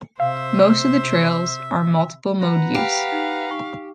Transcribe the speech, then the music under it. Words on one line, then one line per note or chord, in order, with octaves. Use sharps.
Most of the trails are multiple mode use.
C3 C5 E5 F5
B4 F#5 A#5
G4 F5 G5 G#5 B5
D#4
D#4 G#5 C#6